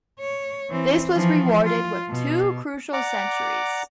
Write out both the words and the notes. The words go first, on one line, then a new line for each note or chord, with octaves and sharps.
This was rewarded with two crucial centuries.
C#5
E3 C4
E3 F3
F4
B2
D5 F#5 A#5 D6